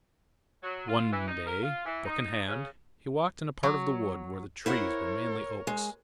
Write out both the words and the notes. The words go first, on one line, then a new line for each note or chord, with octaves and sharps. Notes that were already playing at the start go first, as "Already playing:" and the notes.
One day, book in hand, he walked in a part of the wood where the trees were mainly oaks.
F#3
F4
E3
D#4
A#4
F4
E3
D#4
C#3
F#3
E4 A#4 C5 C#5 F#5
G#3